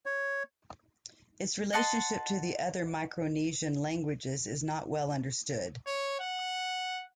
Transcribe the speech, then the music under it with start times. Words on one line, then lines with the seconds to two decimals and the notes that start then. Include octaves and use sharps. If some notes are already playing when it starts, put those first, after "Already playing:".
Its relationship to the other Micronesian languages is not well understood.
0.06 C#5
1.73 D#5 F#5 A5 C6
5.87 C#5
6.20 F#5